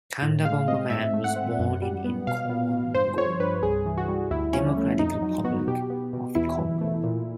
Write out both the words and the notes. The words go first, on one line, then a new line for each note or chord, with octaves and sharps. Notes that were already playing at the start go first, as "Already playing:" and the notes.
Kanda Bongo Man was born in Inongo, Democratic Republic of the Congo.
A2
G#3 F5
C4 D#5
G#2 E5
A3
F#5
C4
F#2
G3
B3
B2 F5
B3
B2
G2 C5
F3 C#5
G2 B4
C2 G#4
E3
F#4
G3
D2 E4
F3 C#4
A3
F2 D#4
F#3
B3 F#4
B2 G4
B3
B2
E2 E4
E3
A3
A#2